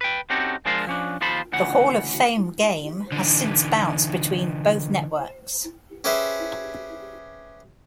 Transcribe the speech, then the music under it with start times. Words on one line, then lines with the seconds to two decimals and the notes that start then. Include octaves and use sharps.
The Hall of Fame Game has since bounced between both networks.
0.01 B4 G5
0.30 C4 C#4 D#4 F#4 G4 A4
0.65 F3 G#3 D4 F4 A#4 C5
0.87 F3 C#4 D4
1.21 D#2 F3 F4 A4 C5 B5
1.52 D2 C#3 E3 F#5
3.12 D3 E3
6.04 C#4 G4 G#4 B4 C5 E5